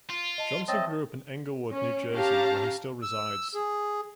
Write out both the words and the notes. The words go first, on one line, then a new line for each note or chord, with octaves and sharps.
Johnson grew up in Englewood, New Jersey where he still resides.
F4
D#5 A5 G7
C4 C#5 D#5 E5 A5
C#4
C#4 G4 F5 A5 A#5
E6
G#4